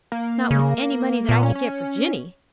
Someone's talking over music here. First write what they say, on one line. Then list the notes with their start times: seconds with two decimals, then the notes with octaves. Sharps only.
"Not with any money that I could get for Jinny."
0.12 A#3
0.51 C#3
1.29 A#2 B3
1.43 C#4
1.55 C#4